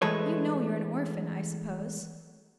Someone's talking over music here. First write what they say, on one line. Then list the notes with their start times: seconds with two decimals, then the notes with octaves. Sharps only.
You know you're an orphan, I suppose?'
0.02 E3 G#3 A3 A4 B4 C#5